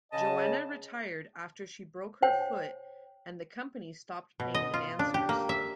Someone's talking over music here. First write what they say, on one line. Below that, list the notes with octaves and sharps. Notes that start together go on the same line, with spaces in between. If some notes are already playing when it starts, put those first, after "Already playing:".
Joanna retired after she broke her foot and the company stopped paying the dancers.
C#3 D#5 A5
C5 C#5 G5
B2
D#5
F4
D4
G4
A#3
E5